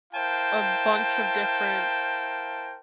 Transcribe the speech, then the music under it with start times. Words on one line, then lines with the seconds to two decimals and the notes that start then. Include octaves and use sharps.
a bunch of different
0.14 E4 A#4 C5 F5 G5 A5